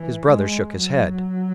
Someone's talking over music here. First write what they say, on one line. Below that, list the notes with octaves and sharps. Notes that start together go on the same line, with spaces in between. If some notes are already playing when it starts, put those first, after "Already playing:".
His brother shook his head.
Already playing: E3
G#3
F#3